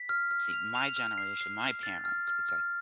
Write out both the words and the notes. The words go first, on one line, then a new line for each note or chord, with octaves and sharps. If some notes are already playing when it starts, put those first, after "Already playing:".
see, my generation, my parents would say,
Already playing: B6
F6
F6
F7
F7
F6
C7
C7
F6
A6
F6
F6
F6